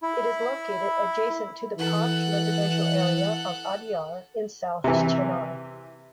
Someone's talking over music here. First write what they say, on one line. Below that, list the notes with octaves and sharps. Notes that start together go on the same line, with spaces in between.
It is located adjacent to the posh residential area of Adyar in South Chennai.
E4
E3 A4 F#5
C3 E3